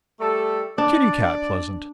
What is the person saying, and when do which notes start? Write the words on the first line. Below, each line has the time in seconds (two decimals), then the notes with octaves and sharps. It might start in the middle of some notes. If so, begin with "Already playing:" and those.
Kitty-cat pleasant!
0.20 G3 A3 A4
0.78 D4 D5